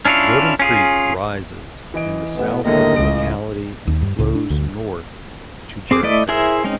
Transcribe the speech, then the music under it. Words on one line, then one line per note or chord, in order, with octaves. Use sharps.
Jordan Creek rises in the south of the locality and flows north to Jericho.
C#4 D4 E4 F4 C#5
C#4 F4 G#4
E3 D#5 D7
A1 B3
D#2 A2 D3 G#3 A#4 D#5
C#2 A2 C#3 D7
D#2
G2
C#2 A2
D4
D2
C4 G#4 D6
A3 E4 D5 D#5
E4 G#4 A#4 C5 E5
G#3 C4 C#4 D#4